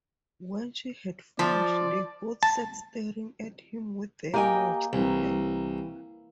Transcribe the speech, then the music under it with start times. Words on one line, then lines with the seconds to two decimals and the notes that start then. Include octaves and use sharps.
When she had finished, they both sat staring at him with their mouths open.
1.39 F3 D5
2.43 A5
4.34 A#3 G4 D#5 G5 G#5 A#5
4.93 C2 E3